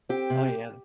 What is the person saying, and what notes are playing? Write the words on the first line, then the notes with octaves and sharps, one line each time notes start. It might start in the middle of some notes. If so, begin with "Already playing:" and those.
Oh, yeah.
C4 G4
C3